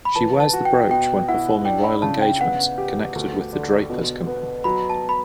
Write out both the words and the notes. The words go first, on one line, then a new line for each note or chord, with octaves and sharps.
She wears the brooch when performing royal engagements connected with the Drapers Company.
B5
E3 A5
A5
F#4
G5
B2 G5
E4 F#5
D4 G5
B5
C#3 A5
G5
B3 F#5
G4
D2
D3
B2
B3
F#3 B5
A5
B5